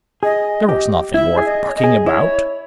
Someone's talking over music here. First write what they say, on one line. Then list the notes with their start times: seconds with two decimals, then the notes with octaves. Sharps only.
"There was nothing worth bucking about."
0.23 G#4 D#5
0.69 G4
1.14 E4 E5
1.37 G#4
1.45 D#5
1.68 C#5
1.75 D#5
1.84 G#4
2.06 E4 C#5